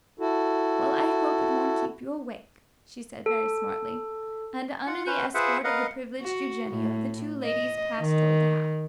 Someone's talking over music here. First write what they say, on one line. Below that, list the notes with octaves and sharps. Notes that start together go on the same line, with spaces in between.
"Well, I hope it won't keep you awake!" she said very smartly; and, under the escort of the privileged Eugenio, the two ladies passed toward the house.
E4 F#4 A4
A4
F4 F#5
C#4 B4 C5
F4 G#4 B4 C5 E5 F#5
A#4 B4 D#5 F5 F#5
F#4
A2
D#5
D#3